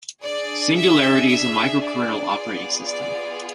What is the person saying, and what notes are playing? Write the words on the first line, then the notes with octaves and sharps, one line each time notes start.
Singularity is a microkernel operating system.
D4 G#4 D5
E5
E5
D5
B3 F4 G#4
D5